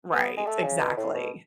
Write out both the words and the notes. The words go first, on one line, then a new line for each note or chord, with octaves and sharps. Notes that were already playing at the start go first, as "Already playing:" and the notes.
Right, exactly.
B3
G#3
A3
C#3
B2
A2
B2